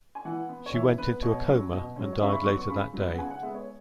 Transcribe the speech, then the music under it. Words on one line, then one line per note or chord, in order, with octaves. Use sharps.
She went into a coma and died later that day.
G#5
E3 F#5
B3
C#5
E3 E5
B3 B4
B2 C#5
F#3 C#4
B2
F#3 C#4
C#5
C#3 E5
C#6
B5
F#3 B3 C#6
C#6
C#3 B5
F#3 B3
F#5
C#3 G#5
F#5
G#3 B3 E5
C#5